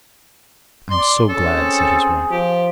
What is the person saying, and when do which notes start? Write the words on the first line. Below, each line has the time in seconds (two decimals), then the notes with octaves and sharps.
"I am so glad," said his wife.
0.90 D5 C6
1.29 C4 C#4 G#4 A4
2.31 F3 G4